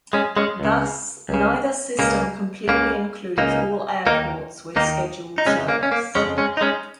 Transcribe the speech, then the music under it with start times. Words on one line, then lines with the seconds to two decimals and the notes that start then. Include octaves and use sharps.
Thus, neither system completely includes all airports with scheduled service.
0.13 G#3 C#4
0.37 G#3 C#4
0.60 C#2
0.65 C#3
1.29 C#2 C#3
1.99 C#2 C#3 A#3
2.68 C#2 C#3 A#3
3.38 C#2 C#3 A#3 D#4
4.07 D#2 D#3 A#3 D#4
4.76 D#2 D#3 A#3 D#4
5.38 D#4
5.46 F2 C#3 G#3 C#4
5.68 A#3
5.83 C#4
5.92 A#3
6.15 F2 C#3 G#3 C#4
6.38 G#3 C#4
6.57 D#4
6.61 G#3 C#4